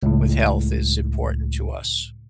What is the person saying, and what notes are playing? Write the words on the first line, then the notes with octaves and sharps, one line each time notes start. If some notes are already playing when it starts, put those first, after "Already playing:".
with health is important to us.
C#2 A2